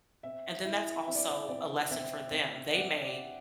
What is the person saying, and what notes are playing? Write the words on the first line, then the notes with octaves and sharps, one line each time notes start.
and then that's also a lesson for them. They may,
C4 E5
E4 E5
C4 E5
D5
D5
C4 D5
C4 E5
C4
C4 D5 F#5
D5